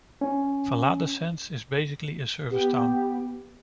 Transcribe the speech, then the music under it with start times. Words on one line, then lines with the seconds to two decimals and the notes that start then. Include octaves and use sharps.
Viladecans is basically a service town.
0.21 C#4
2.50 B3 G4